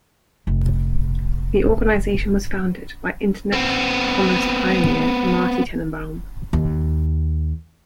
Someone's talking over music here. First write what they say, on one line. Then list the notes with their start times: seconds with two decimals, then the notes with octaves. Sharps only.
The organisation was founded by Internet commerce pioneer Marty Tenenbaum.
0.47 F1 A#2
3.52 B3 C4
6.53 D#2